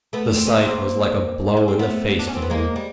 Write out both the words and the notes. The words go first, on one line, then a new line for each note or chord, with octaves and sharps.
The sight was like a blow in the face to him.
A3 B3
C4
C#4
A#3 C4
C#4
C4
A3 B3
D4
C#4
C4
B3
G#3 A#3
G3